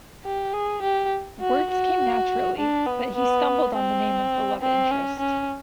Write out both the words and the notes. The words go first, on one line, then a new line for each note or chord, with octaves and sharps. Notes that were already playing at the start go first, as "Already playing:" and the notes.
Words came naturally, but he stumbled on the name of the love interest.
G4
G#4
G4
F#4
F#4
D4
B3
B3
C4
C4
C#4
C#4